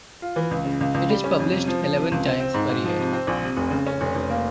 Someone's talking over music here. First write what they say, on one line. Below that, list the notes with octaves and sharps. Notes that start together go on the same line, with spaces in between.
It is published eleven times per year.
F4
E3
C#2
C#3
C#2
C#2
G3
C#4
F2
C3
F3
F3
C3
C#2
C4
C4
G#2
G#2
F3
C3
C4
A#1
C3
F1
C#3
C#4
F1
F1
A#3